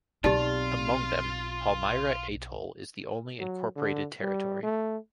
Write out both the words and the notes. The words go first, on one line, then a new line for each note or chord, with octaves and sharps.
Among them, Palmyra Atoll is the only incorporated territory.
B1 C4 D#4 F4 G4 D5
F#3
D3
G3
A3